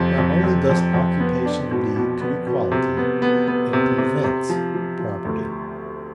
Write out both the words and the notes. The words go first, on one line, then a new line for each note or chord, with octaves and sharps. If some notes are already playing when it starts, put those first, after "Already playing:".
Not only does occupation lead to equality, it PREVENTS property.
Already playing: F2 C3
F2
F2
F2
F2
B3
D4
B2
B2
B3
B2
C3
B3
B3
B3
C3
C3
C3
F3
F3
F3
D2